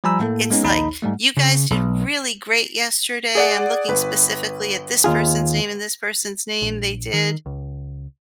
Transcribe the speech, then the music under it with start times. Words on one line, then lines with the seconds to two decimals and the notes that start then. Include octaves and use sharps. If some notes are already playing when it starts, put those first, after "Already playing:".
it's like, "You guys did really great yesterday. I'm looking specifically at this person's name and this person's name. They did,
0.04 F3 G3 G#5 A#5 B5 E6
0.19 A2 A#3 A4
0.50 G#3 B3 C#4 D#4
0.63 A#1 D#2 D#4 B5
1.02 G#2 G3 A3
1.37 C#3
1.70 B1
3.35 G#4 D5 F#5
3.88 G1 B4
5.04 D#2 F4 G#4
6.62 A#1
7.13 D#3
7.46 C#2